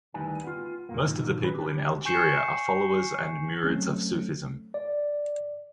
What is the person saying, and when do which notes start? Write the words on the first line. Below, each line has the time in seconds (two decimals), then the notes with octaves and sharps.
Most of the people in Algeria are the followers and murids of Sufism.
0.14 D2 D#3 G3 E4 B4 G#5
0.44 B3 F4
0.89 E2 A#2 A#3
1.05 G#2 B2 D3 D#3 F3 D#4
1.41 D#3 C#4 B4 B5
1.55 D4 G4
2.05 G#5 C#6 G6 C7 C#7 E7
3.64 F#3 A3 C4 C#4
4.74 D5